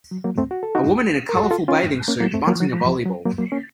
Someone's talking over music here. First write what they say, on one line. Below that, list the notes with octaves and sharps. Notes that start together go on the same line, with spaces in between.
A woman in a colorful bathing suit, bunting a volleyball.
F#3
F#3 A#3
A3 C4
F#4
A4
D#4 F#4
A#4
A4
F#4
F4 A4
C#4 F4
A#3 C#4
F#3 A#3
A3 C4
F#3 A#3
F3
F#3
F3
F3
F#3
F#3 A#3
F#3 A#3
A#3 C#4